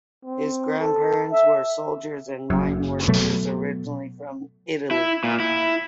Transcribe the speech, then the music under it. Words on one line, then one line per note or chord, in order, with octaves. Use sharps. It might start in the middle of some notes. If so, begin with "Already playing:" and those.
His grandparents were soldiers and mine workers originally from Italy.
C4
A4
E5
F#1 F#2
B2 F#3 A3
E4
A#2
E4